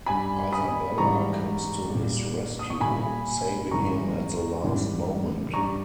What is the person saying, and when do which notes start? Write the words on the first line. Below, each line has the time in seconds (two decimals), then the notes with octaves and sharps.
Isabella comes to his rescue, saving him at the last moment.
0.06 G2 G3 G#5 B5
0.53 B5 D#6
0.98 G#2 E3 G3 A#5 C#6
1.89 A#2 G3
2.59 D#6
2.70 C#6
2.80 A#2 G3 G#5 B5
3.71 G#2 E3 G3 A#5 C#6
4.63 G#2 E3 G3
5.54 G2 G3 A#5 C#6